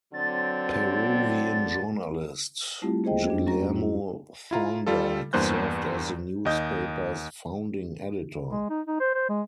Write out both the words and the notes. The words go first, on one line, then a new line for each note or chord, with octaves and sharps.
Peruvian journalist Guillermo Thorndike served as the newspaper's founding editor.
D3 F#3 C4 A6
G3 A3 C4 E4 F4 G4
A#3 G#4 C5 D#5 G5
F2 D4
F#3 C#4 F#4 A#5 A#6
E4
E4 F4 A#5
G3 F4 A4
E2 G2 A#3 C5 F#6 G6
D#2 D#5 G6
G#3
D#4
D#4
C5
C5
G#3